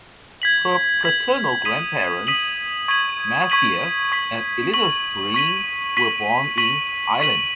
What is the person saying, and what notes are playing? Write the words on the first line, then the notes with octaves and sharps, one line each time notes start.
Her paternal grandparents Matthias and Elizabeth Breen were born in Ireland.
G#6 B6 F#7
G#6 B6 F#7
D#6 B6 D#7 F#7
D#6 B6 D#7 F#7
C#6 G#6 B6 D#7 F#7
C#6 G#6 B6 D#7 F#7
C#6 B6 F#7
C#6 B6 F#7
C#6 B6 D#7 F#7
C#6 B6 D#7 F#7
C#6 B6 D#7 F#7
C#6 B6 D#7 F#7